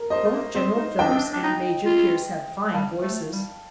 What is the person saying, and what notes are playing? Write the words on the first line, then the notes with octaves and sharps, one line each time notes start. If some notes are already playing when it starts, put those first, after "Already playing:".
Both General Phillips and Major Pierce have fine voices.
Already playing: A#4
C5 D#5
A3
A#3
C4 C5
D#4
D4 D#5 G5
C4
D4
D4
D#4
F4
G3 F5 A5
A3
G3